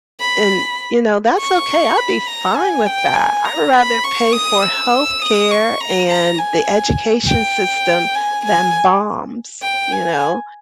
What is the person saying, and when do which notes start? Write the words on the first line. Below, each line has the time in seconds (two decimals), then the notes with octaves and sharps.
b and, you know, that's okay, I'd be fine with that, I'd rather pay for healthcare and the education system, than bombs, you know?
0.20 B5
1.39 C#6
1.97 B5
2.27 A#5
2.56 G#5
2.86 G5
3.15 G#5
3.45 A#5
3.74 B5
4.04 C#6
4.33 D#6
4.63 E6
5.22 D#6
5.51 C#6
5.80 A#5
6.10 A#5
6.39 G#5
7.27 G5
8.15 G#5
8.45 G#5
9.62 G5
9.92 G#5